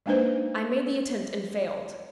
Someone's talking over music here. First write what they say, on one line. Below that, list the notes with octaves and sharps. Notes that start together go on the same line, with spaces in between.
I made the attempt and failed.
G#3 A#3 D4 D#4 B4 C5